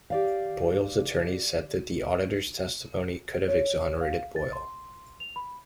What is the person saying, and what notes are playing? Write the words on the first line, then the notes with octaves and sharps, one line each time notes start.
Boyle's attorneys said that the auditor's testimony could have exonerated Boyle.
G4 D5 F5
C#5
F5
A6
C6
F7
B5